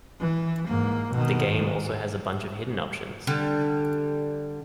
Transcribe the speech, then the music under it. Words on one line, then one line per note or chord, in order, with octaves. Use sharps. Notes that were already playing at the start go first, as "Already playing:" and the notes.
The game also has a bunch of hidden options.
E3
G#2 A#3
B2 D#3
G#2
D3 G3